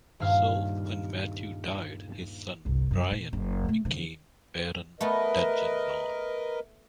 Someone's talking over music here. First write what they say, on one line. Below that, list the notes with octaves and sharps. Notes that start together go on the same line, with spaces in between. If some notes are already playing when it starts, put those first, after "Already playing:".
So when Matthew died, his son Brien became Baron Dungannon.
D#1 G2 F5 F6
G1 C2
F#2
A#2
F#1
G#3 A3
D3 F3
A3 B3 A#4 B4 D#5